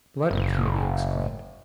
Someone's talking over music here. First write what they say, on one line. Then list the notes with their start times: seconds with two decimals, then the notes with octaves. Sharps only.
"Blood!" Kennedy exclaimed.
0.31 F#1